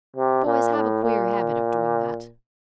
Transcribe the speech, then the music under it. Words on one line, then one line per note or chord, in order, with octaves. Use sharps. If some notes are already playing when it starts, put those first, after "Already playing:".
Boys have a queer habit of doing that.
C3
A#2
A2
A#2